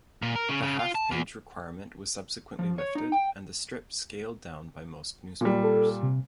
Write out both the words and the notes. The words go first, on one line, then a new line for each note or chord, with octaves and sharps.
The half-page requirement was subsequently lifted, and the strip scaled down by most newspapers.
A#2
A#4
C#3
C#3
F4
A5
E2
F3
C#5
D#4
G5
A#2 G3
A4
C3